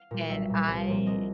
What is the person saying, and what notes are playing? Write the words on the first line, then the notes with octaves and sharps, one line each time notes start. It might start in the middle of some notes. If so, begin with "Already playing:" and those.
And I
Already playing: F5
A#2 G3
B1 E5
A#2 G3
C2
A#2 F3 A#3
C2 D#5